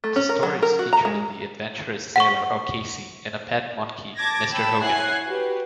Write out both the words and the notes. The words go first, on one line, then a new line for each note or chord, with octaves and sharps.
The stories featured the adventurous sailor O'Casey and a pet monkey, Mr. Hogan.
A3
C#4
A#4
F#3
A#4
F#4
A#5
G#3
F#5 C#6
A5 D6 G#6 A#6
G5 A5 B5 E6
E4 C#5 F#5 G#5 F#6 C7
F#4 G4 B4